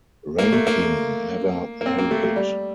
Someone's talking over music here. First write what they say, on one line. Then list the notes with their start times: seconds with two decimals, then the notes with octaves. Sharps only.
Rankin never married.
0.38 A#3
0.52 A3
0.67 A#3
1.81 A#3
1.86 C4
1.98 A#3
2.11 A3
2.24 A3
2.36 G3